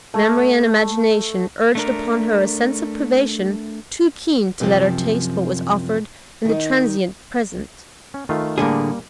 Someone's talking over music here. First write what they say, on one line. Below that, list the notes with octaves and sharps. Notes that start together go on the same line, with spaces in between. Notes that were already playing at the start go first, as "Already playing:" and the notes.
Memory and imagination urged upon her a sense of privation too keen to let her taste what was offered in the transient present.
A3
A3 D4 A#4
F#2 C3 E3 F3
D#3 D#4
C#4
D#3 A3 F4
A2 D3 G3 A#3 G#4